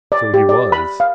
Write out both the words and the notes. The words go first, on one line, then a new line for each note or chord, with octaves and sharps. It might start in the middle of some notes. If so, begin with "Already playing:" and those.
So he was.
D5
G4
D5
B5
F5